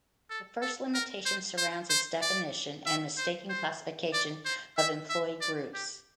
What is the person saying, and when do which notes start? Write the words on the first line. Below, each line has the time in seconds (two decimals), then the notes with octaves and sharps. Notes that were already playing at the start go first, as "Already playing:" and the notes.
The first limitation surrounds its definition and mistaken classification of employee groups.
0.30 A4
0.62 A4
0.94 A#4
1.26 C5
1.58 C5
1.90 C5
2.22 D5
2.86 E5
3.17 C5
3.49 C5
4.13 D5
4.45 C5
4.78 E5
5.09 E5
5.41 D5
5.74 G4